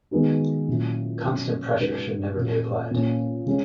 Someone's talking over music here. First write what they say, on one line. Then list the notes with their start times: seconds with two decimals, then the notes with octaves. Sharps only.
Constant pressure should never be applied.
0.11 D#3 G#3 B3 D#4 F#4
0.68 A#2 F#3 C#4 E4
1.24 B2 F#3 C#4
1.79 C#3 G#3 D#4 F#4 B4
2.35 A#2 A#3 C#4 F#4
2.91 A#2 A#3 C#4
3.46 C#3 G#3 C#4